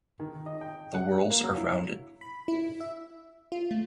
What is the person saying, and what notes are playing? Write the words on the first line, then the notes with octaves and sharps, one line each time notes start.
The whorls are rounded.
D#3
D#5
G5
F#5
A#3
F#3
E4
B5
E4
E5
F4
A3